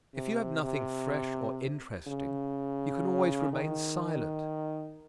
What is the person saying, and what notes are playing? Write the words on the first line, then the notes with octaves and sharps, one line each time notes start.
If you have nothing fresh or interesting you can always remain silent.
C3
C3
C#3
D#3